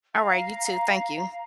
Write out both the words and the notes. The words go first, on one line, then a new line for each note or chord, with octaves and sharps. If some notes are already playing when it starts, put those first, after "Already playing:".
All right, you too. Thank you
F5 A#5